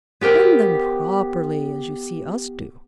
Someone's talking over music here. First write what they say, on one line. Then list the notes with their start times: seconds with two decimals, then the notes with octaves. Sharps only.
Bend them properly, as you see us do.
0.21 B3 G4 A#4 C5 G5